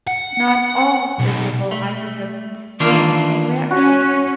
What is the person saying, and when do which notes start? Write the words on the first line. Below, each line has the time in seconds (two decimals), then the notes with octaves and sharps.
Not all fissionable isotopes can sustain a chain reaction.
0.07 F#5
1.19 B1
1.71 A3
2.80 D#3 E3 A#3 D4 F4
3.71 C#4 F#4